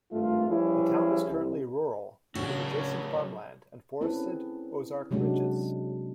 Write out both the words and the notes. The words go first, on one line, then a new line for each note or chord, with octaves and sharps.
The town is currently rural, with adjacent farmland and forested Ozark ridges.
G#1 G2 A3 F4
E3 F3 G3 C#4 E4 G#4
C2
C#3 F#3 C#4 D4 F#4
C4 C#4 E4 G#4 A4 B4
C3 F#3 G#3 C#4 D4